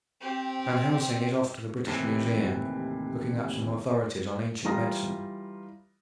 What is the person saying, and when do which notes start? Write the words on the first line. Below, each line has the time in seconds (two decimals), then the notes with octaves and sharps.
Van Helsing is off to the British Museum looking up some authorities on ancient medicine.
0.21 C4 G4
1.87 D#2 A2 C3 E3
4.64 E3 G3 F4 A#5 D#6 A#6